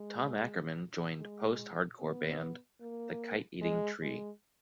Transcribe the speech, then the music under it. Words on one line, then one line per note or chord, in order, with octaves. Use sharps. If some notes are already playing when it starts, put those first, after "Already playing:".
Tom Ackerman joined Post-Hardcore band, The Kite-Eating Tree.
Already playing: G#3
G#3
B3
A#3
G#3
G#3